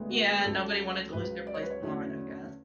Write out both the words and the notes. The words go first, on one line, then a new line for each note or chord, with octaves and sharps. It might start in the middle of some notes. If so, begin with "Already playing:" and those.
Yeah. Nobody wanted to lose their place in line, I guess.
Already playing: D2 D3 G#3 B3
F#4
G#4
C#2 C#3 F#3 A4
C#2 C#3 F#3 B4
D5
C#5
B4
C#5
E2 D3 F#3 A3 C#4